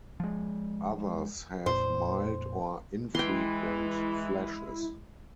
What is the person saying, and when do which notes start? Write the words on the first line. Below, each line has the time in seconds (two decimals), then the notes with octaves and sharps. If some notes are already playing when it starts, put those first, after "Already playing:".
Others have mild or infrequent flashes.
0.20 F3 G#3
1.66 F2 A#2 C5
3.15 E3 G#3 E4 G5 C6